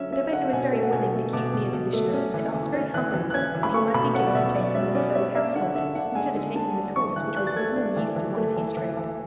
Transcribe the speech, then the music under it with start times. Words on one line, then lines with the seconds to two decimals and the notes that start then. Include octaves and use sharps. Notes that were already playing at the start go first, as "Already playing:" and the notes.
But the beggar was very willing to keep near to the Sheriff, and asked very humbly that he might be given a place in Monceux's household, instead of taking this horse, which was of small use to one of his trade.
Already playing: D3 F#3 C#4 E5
0.12 C#4 E5
0.33 D3 F#5
0.53 B2 G#5
0.73 A3
0.83 F#5
0.92 B2 G#5
1.13 A3
1.33 B2 D6
1.53 B2
1.73 B2
1.93 A3
2.14 C#4
2.34 E3
2.54 E3
2.74 C#4
2.94 E3 F#6
3.14 E3
3.30 F#6
3.34 C#4 G#6
3.54 E3
3.63 B5
3.74 A3 C#6
3.94 B2 B5
4.15 C#4 F#5
4.27 D5
4.34 B2 E5
4.55 F#3 D5
4.75 C#4 E5
4.95 C#4 D5
5.15 C#4 E5
5.35 D4 E5
5.55 D3 F#5
5.75 D3 E5
5.95 D3 F#5
6.15 G#3 G#5
6.36 D3
6.56 D3 A5
6.75 D4
6.96 E3 C#6
7.16 E3 F#6
7.36 D4 F#6
7.47 A6
7.56 A3 G#6
7.76 D4
7.96 E3
8.16 E3
8.37 A3
8.56 E3
8.77 E3
8.97 E3